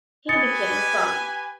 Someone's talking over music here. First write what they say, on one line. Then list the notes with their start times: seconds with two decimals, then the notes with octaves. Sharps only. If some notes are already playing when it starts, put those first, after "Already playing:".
He became a farmer.
0.29 G4 B4 G#5 D#6 A6 C#7